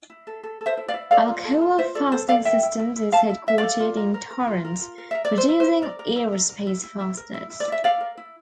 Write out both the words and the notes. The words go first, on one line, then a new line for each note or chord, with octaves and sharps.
Alcoa Fastening Systems is headquartered in Torrance, producing aerospace fasteners.
E4
A4
A4
A4
C5 E5
E4
D5 F5
E4
A4 D5 F5
F4
A4
F4
F4 C5 E5
A4 D5
A4 C5
A4 D5 F5
E4 E5 G5
E4
E4
E4
E4 F5 A5
E4
E4 E5
D5 F5
A4
F4
A#4
A#4
A#4
F4
A#4
F4
A#4
A#4 E5
D5
E4
C5
E4
C5
E4
A#4 D5
A#4
E4
A#4
A#4
E4
E4
E4
A#4
E4
E4
D5
E4 E5
E4 D5 F5
A#4
E4